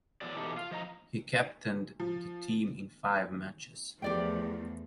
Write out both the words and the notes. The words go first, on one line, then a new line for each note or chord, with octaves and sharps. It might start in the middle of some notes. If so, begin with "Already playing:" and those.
He captained the team in five matches.
E2 F#3 D5
B2 E3 D#4 G4 A4
F4
F3 D#5 A#5
F3
E2 F3 A3 G4 D5 G5